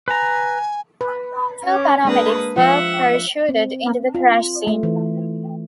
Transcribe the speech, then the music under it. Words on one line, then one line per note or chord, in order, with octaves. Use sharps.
Two paramedics were parachuted into the crash scene.
B4 G#5 A#5
B4
C#4
G#3 A#3 D4 B4 D#6
F3 F4 E5 F#5
C4
F4
A3
E3